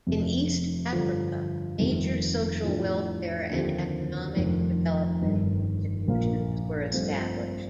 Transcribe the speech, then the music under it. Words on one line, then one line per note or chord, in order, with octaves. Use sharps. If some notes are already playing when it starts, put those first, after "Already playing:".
In East Africa, major social welfare and economic development institutions were established.
F1 F2 C3
G2 D3 F3
F1 F2 C3 D#3 G3
A2 F3 A3 D4
D#2 D3 F3 C4 G4
F1 F2 D#3
G1 G2 D#3
A#1 A#2 F3 A#3 F4
G2 F3 A3 C4 F4